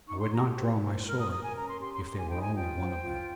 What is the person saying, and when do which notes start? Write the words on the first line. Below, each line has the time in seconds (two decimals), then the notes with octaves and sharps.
I would not draw my sword if there were only one of them.
0.07 D#4 C#6
0.19 C6
0.32 G4 A#5
0.57 C5
0.81 C5
1.06 A#4 F6
1.18 D#6
1.31 A#4 D#6
1.43 G#5
1.55 C#4 A#5
1.67 C6
1.80 G4 C6
1.93 C6
2.05 G4 C6
2.17 G#5
2.29 D#4 G5
2.41 G#5
2.54 F4 G5
2.79 C5
3.03 F4